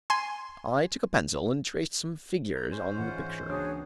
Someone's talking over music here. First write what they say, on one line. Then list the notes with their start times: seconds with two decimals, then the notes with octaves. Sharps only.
I took a pencil and traced some figures on the picture.
0.10 G#5 C6
2.56 A#5
2.71 G#3 C#4 C5
2.97 G#2 E3 F4 F#5
3.48 C#2 A#3 D4 F#4 G#4 C#5